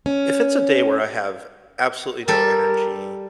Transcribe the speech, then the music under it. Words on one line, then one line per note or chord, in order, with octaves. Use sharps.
if it's a day where I have absolutely no energy,
C#4
G3 A4 A#4